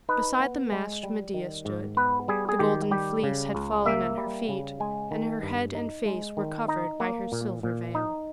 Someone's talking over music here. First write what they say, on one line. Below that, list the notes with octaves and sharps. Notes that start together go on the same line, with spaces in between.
Beside the mast Medea stood; the Golden Fleece had fallen at her feet, and her head and face were covered by her silver veil.
D#4 B4
B3
G#3
G3
D#3
G#2
B3 B4
G3 G#4
G#4
D#3 G4
G3 G4
C#3
C#2
A#3 E5
G3
C#3
G#3 G#5
D#3
G2
D#4
G#3
D#3
D#4 A#5
A#3
A#2
A#2
D#4